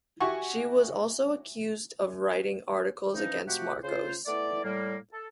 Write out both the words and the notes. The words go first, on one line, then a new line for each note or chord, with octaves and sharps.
She was also accused of writing articles against Marcos.
E4 F#4 G4 F#5 G#5 C#6
E3 F3 C#4 D#4
C3 F3 A3 F#4 G4 F#5
C#3 F4 C5
A3 B3 E4 D5
A2 G3 A#3
A4